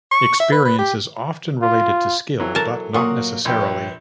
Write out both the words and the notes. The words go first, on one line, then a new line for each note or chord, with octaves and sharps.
Experience is often related to skill, but not necessarily.
C#6
E5
B4
B4
G4
F4
E3 F#3
A4 A#4 A5
A#2 F#3 A#3 F#5 C#6 D#6
A#1 G4 G5
B4 C#5